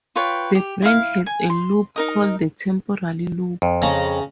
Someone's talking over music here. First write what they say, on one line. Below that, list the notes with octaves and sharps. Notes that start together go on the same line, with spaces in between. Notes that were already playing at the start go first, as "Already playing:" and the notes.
The brain has a lobe called the temporal lobe.
F4 B4 C#5 G5
G4
E4 F5
G#5
C6
D#4 A#4 D#5
F2
C#3 A#5 C#6